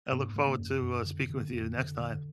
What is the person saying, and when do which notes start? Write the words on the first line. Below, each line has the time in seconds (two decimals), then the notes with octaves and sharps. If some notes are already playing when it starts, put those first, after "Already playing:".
I look forward to, uh, speaking with you the next time.
0.12 G#2 B3
0.36 D3 A#3
0.59 F#2
0.82 F#2
1.06 D3
1.30 D3
1.53 F2
1.77 D3
2.00 D3